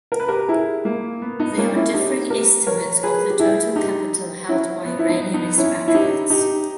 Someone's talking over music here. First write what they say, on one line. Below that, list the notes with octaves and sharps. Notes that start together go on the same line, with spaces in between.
There are differing estimates of the total capital held by Iranian expatriates.
A#4
B4
G4 A#4
E4 G#4
A#3
B3
B3 D#4
A#3 C#4
C#4 E4
D#4 G4
G4 A#4
A#4 C#5
G#4 B4
G4
E4 G#4
D#4 G4
C#4 E4
B3
E4
B3 D#4
B3 D#4
C#4 E4
E4
D#4 G4
D#4 G4